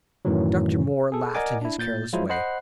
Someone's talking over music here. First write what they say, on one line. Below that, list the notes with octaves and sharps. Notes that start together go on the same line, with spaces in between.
Dr. Moore laughed in his careless way.
F#2 A2 D#3 E3 F#3
G#4 A4
A#4 D5 D#5 F#5 G#5 D6
D4 E4
A#2 G6 A6
F3 F#3 G#3 E4 F4 C5
C5 D#5 F#5 B5 F#6 C7